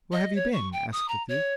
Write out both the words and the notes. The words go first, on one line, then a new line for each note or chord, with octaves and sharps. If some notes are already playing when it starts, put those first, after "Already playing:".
'Where have you been?' asked the thief.
D#5
C#5
C#6
G5
D#6
A#5
C#5